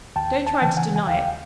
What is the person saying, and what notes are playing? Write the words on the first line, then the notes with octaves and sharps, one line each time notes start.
Don't try to deny it.
D#2 G5 A5
A5
G#5
C#3 E3 G5 A5
F#5 G#5
G#5
D#2 F5 G5